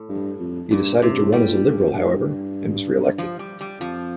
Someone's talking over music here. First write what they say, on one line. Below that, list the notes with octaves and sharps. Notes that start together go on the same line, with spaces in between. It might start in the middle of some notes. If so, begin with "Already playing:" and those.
He decided to run as a Liberal, however, and was re-elected.
Already playing: A2
G2
F2
G2 A#2
A2 C3
G2
A2
A2 G3
A#2
G2
F2
G2
A2
G2
F3
G3
G3
F2 F3